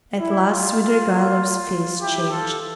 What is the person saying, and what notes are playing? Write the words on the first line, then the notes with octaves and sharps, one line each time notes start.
At last Svidrigailov's face changed.
E4
F4
F4
F4
E4 G4
F4 A4